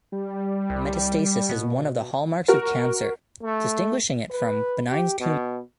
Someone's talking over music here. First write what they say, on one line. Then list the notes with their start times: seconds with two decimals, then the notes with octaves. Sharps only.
Metastasis is one of the hallmarks of cancer, distinguishing it from benign tumors.
0.12 G3
0.70 C2
1.49 B2
2.48 F#4 A#4
3.43 A3
4.30 B4
4.90 G4
5.20 B2